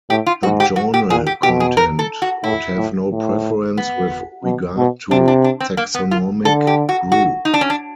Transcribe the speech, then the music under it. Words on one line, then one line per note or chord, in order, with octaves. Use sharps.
The journal content would have no preference with regard to taxonomic group.
A2 G4
F4
G#2 F#4
G4
F#4
G4
A#2 G#4
G4
B2 G4
G#4
A#4
A4
F#4
A2 E4
A2
A2
B3
B2
B2
C3 D4
D4
D4
C4
A#3
B3
F4
D3 A4
G4
F#4
F#4
D#4
D4
C#4
D4